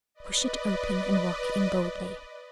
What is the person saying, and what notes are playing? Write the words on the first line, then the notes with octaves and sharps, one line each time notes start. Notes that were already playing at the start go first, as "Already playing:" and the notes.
Push it open and walk in boldly.
B4 D5 D#5